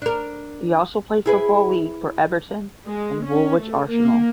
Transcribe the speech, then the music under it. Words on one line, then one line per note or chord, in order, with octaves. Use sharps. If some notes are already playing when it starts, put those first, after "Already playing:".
He also played Football League for Everton and Woolwich Arsenal.
D4 A#4
E4 G#4 B4
G#3
C#4
A3
A#3